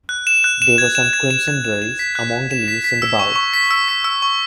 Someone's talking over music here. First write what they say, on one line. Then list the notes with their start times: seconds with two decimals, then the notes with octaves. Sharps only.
There were some crimson berries among the leaves in the bowl.
0.09 F#6
0.27 E7
0.44 F#6
0.62 E7
0.78 G#6
0.95 E7
1.13 G#6
1.30 E7
1.48 G#6
1.64 E7
1.82 E7
1.99 B6
2.15 F#6
2.33 F#6
2.51 E7
2.68 B6
2.84 B6
3.02 E6
3.19 C#6
3.36 C#6
3.54 B6
3.71 E6
3.88 B6
4.04 E6
4.22 C#6